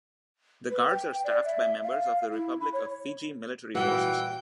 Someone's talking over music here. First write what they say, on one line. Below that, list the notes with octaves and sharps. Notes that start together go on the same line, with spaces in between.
The guards are staffed by members of the Republic of Fiji Military Forces.
B4
G5
D5
E5
F5
E4
B5
C#5
A#2 E3 G3 F#4 F#5 G5